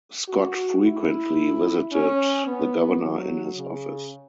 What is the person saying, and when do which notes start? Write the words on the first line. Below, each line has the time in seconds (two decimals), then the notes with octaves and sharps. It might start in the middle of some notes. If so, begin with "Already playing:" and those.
Scott frequently visited the governor in his office.
0.28 F#4
0.84 E4
1.93 C#4
2.47 B3
3.02 F#3
3.57 C#3